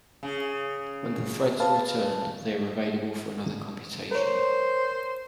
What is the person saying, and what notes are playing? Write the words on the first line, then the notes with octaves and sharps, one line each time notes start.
When the threads are returned, they are available for another computation.
C#3
B4 F5 A5
A#4 C5 C#5